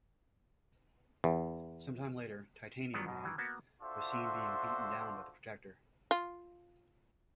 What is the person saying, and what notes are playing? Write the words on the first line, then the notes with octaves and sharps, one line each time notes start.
Some time later Titanium Man was seen being beaten down by the Protector.
E2
D#3 F3 F#3 B3 D4
G#2 B2
D#3 E3
A#3 B3 F#4
D4 F4 F#4 A4 C5 E5
F4